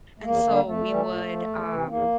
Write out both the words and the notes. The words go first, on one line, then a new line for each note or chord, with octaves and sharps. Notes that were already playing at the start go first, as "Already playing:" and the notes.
and so, we would, um,
A3
E2 A#3
D3 G3
F2 A3
E3 G3
A#2
F3
E2
C3 E3
C4
E2 A#3